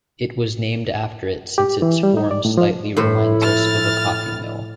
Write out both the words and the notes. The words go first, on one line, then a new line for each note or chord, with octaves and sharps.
It was named after it since its form slightly reminds us of a coffee mill.
G4
E3
G3
D#4
D5
A2
F3
A2 F3 E4 B4 C5
F6 A6